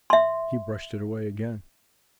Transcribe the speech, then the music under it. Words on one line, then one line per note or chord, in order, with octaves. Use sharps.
He brushed it away again.
E5 C6